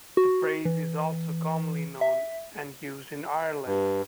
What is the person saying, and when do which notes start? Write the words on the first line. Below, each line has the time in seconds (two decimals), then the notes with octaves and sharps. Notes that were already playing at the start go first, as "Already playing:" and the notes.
The phrase is also commonly known and used in Ireland.
0.17 F#4
0.65 E3
2.01 E5
3.66 G2